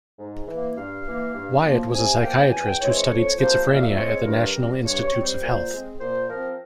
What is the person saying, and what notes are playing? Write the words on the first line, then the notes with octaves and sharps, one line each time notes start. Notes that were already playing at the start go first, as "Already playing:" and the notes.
Wyatt was a psychiatrist who studied schizophrenia at the National Institutes of Health.
G#2
E3 A#3
G2 F5
E3 A#3
G2
F3 A#3
C3 G#5
F5
F3 A#3 G5
E2 G#5
G5
E3 G#3 C4 C#5
C#5
F2 C#5
C3 F3 A#3 C5
A#2 E5
F5
E5
G#3 C4 C#5
G2 A#4
G3 C4
G2 C#5
C#5
G3 C4
C5
A#2
G#3 C4
A#2 C5
F3 C4 A#4